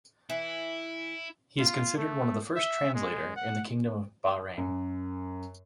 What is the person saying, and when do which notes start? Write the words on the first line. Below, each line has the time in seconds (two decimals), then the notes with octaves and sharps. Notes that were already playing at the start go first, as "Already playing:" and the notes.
He is considered one of the first translator in the Kingdom of Bahrain.
0.30 E3 E4
1.58 F4
1.97 A3
2.56 E5
2.95 G#3
3.36 F#5
4.58 F#2